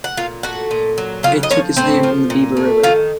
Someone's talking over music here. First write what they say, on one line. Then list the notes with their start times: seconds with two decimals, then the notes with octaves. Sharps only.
It took its name from the Beaver River.
0.04 F#5
0.17 A#2 F4 F5
0.43 A3 F#4 F#5
0.71 A#2
0.98 F#3
1.23 C#3 F4 F5
1.43 D#5
1.51 F3 C#4 C#5
1.76 A2 C4 C5
2.03 F3
2.30 A#2
2.57 A3
2.83 D#3 F4 F5